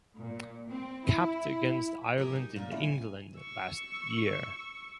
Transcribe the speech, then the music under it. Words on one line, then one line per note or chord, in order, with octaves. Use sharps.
Capped against Ireland and England last year.
A#2
C4
E4
G4 G#4 A#4
D#4
A#2 A#3
C#4 E4
G#5
C#6 E6